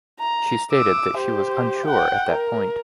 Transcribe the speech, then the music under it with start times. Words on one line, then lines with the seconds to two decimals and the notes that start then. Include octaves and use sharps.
She stated that she was unsure at that point.
0.20 A#5
0.72 D6 E6
1.18 G4 C5
1.86 F#5 G5
2.33 A#4